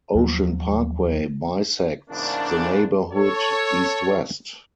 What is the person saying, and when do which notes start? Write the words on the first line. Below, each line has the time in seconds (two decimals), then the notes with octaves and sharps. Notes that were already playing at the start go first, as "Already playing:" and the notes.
Ocean Parkway bisects the neighborhood east-west.
0.15 D#2 F3 F#3
2.09 E2 G#2 C#3 A#3 D4
3.13 A4 C#5